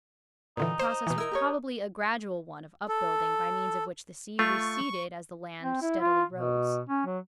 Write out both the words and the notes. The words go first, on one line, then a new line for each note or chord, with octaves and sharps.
The process was probably a gradual one of up-building, by means of which the sea receded as the land steadily rose.
A#2 D3 E3 D#4
C5
B2 E3
E4 A#4 E6
G4 A#4 C#5
A4
A3 F4 C#6
C4
E4
F4
B2
C#4
F#3